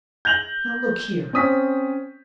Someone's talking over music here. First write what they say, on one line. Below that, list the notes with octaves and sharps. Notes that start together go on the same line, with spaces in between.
Now, look here!
G6 A#6 F7 F#7
C4 C#4 D#6 B6